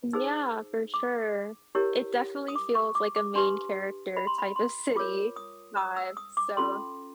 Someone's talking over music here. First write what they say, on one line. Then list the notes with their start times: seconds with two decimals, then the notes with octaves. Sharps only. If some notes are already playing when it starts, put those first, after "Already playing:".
Yeah, for sure. It definitely feels like a main character type of city vibe, so,
0.13 D#4 G#4 C5 E6
0.94 D6
1.75 E4 G4 A#4 C#5
2.48 D#6
2.56 D6
2.75 C#6
2.95 D6
3.16 D6
3.35 D4 G4 B4 C6
4.17 B5
4.27 C6
4.38 B5
4.56 C6
4.96 F4 A#4 C#5 D6
5.36 D#6
5.77 D#6
5.96 E6
6.17 D#6
6.37 D6
6.57 C#4 F4 A4 C6